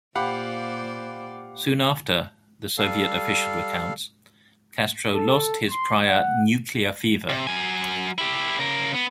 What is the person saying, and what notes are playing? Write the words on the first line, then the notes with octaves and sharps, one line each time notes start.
Soon after, the Soviet official recounts, Castro lost his prior "nuclear fever".
A#2 G4 C5 D5 F5 F#5 B5
G3 A4 F5
A4
C6
F#5
C3
F#3 G#5
E4 G4
C#3 A#4
B3